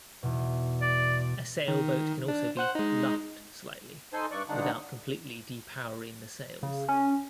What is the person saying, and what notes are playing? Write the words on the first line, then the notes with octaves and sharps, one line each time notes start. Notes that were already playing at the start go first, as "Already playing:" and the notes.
A sailboat can also be "luffed" slightly without completely de-powering the sails.
E2 B2
D5
D#3
D4
C5 F#5 F#6
G#3 D#4
D#4 A4 C5 G#5
G2 D5 C#6 F#6
D2 G2 D3 D4 D#4 F#5
C#3
C#4